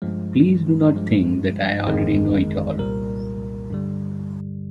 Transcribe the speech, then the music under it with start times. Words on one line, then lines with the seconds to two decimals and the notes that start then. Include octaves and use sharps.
Please do not think that I already know it all.
0.02 G2 F3 G#3
0.95 G2 F3 G#3
1.87 G1 F2 D#3 G#3
2.78 C2 A#2 G3 A#4
3.70 G2 D3 G3